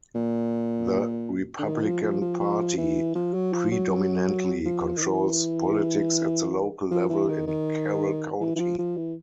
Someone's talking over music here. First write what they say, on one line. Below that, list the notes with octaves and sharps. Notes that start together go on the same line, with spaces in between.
The Republican Party predominantly controls politics at the local level in Carroll County.
A#2
D3
D#3
F3
F3
F3
F3
E3
F3
F#3
F3
F#3
F#3
F3
D#3
E3
F3
E3
D#3
D#3
E3
E3
F3
F3
E3